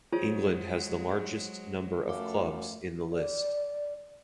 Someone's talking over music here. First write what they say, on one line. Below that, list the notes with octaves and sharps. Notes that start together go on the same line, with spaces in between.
England has the largest number of clubs in the list.
F#3 G#3 F4 G#4 C5 C#5
F#2 F3 A3 A4 F5 D6
D5